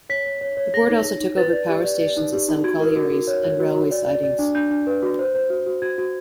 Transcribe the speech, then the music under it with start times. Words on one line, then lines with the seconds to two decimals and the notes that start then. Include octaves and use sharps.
The board also took over power stations at some collieries and railway sidings.
0.09 C#5 B6
0.26 C#5
0.41 C#5
0.57 C#5
0.74 G#4 A#6
0.89 D#4
1.05 G#4
1.21 D#4
1.37 B4 A6
1.52 D5
1.69 G4
1.85 D5
2.00 D5
2.17 D#4
2.33 G4
2.48 D#4
2.64 F#4 G#6
2.80 A#4
2.96 F#4
3.12 F#4
3.27 C#5
3.44 C#5
3.59 F#4
3.75 F#4
3.91 D5
4.07 D5
4.24 D5
4.39 D4
4.55 D4 G6
4.71 D4
4.87 B4
5.02 F#4
5.19 C5
5.35 C5
5.50 F#4
5.66 F#4
5.82 F#4 G#6
5.98 F#4